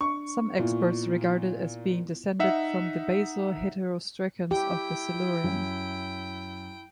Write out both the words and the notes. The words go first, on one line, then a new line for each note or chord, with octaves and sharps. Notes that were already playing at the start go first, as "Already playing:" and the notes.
Some experts regard it as being descended from the basal heterostracans of the Silurian.
D4 C#6
A#2 B3 E4 F4
D#4 E5 F#5
E4 G4 G5
F#2